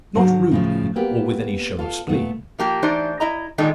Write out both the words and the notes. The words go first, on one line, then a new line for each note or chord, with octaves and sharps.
Not rudely, or with any show of spleen.
G#2 D3 F#3 C5
A2 C#3 F3
A#3 B3 G4
F4 A4 F5
A#2 A3 B3
F3 A#3 G4
E3 A3 D4 D#4 C5 D5
E4 D#5 A#5
A#2 D#3 G#3 D4 D#4 A4